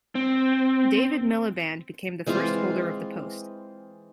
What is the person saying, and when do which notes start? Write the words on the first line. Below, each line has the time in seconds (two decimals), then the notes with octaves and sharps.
David Miliband became the first holder of the post.
0.15 C4
2.26 E3 G#3 C4 F4